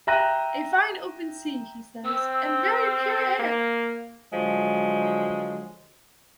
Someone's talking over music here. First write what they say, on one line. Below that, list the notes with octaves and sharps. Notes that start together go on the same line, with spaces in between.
A fine open sea, he says, and very pure air.
E5 G5 A#5 F#6 A#6 D#7
C4 E6
A#3
D3 F3 F#3 G#3